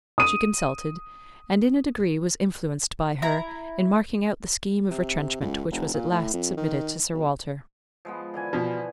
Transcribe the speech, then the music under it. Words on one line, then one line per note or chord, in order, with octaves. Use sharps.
She consulted, and in a degree was influenced by her in marking out the scheme of retrenchment which was at last submitted to Sir Walter.
D#6 D#7
E4 A#5
C3
C#2
F1
A#2
A2
F2
D#3
B1
F3 G#3 B3
D3 E3 G#5
B2 F3